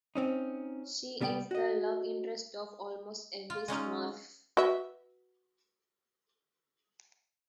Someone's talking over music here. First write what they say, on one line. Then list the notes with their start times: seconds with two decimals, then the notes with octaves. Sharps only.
She is the love interest of almost every Smurf.
0.15 C4 C#4 D#4
1.20 C2 G3 B3 F5 G5
1.51 F#4 D#5
3.50 F4
3.68 G#3 C#4 D#4 F4
4.57 F#4 B4 E5